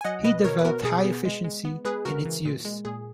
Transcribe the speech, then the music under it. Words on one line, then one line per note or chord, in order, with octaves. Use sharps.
He developed high efficiency in its use.
G#5
F#3 D#5 F#5
B2 B4 D#5
B2 A#4 C#5
B4
B3 F#4 A#4
B2 G#4
B3
G#3
G#3
B3
G#3 G#4 B4
C#3 F#4 A#4
E3
A#2
G#3
A#2 G#4